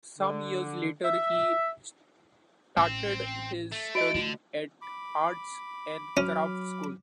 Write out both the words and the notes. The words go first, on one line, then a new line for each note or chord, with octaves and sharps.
Some years later he started his studies at Arts and Crafts School.
D3
E5
A1 C4
A3
F#4 D#5 D7
D3 A3
B5 D6
F#3 C#4 F6